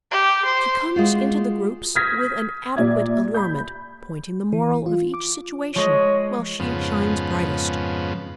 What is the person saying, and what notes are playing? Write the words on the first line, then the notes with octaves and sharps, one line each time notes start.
She comes into the groups with an adequate allurement, pointing the moral of each situation while she shines brightest.
G4
C5
G#3 F4 F#4
D#6 F6 G6 G#6 A#6 B6
A#2 G4 D5 E5 G#6
B5 G6
E3
F4
D6
F3 G#3 C#5 D#5
F2 G#2 C#3 F3 B3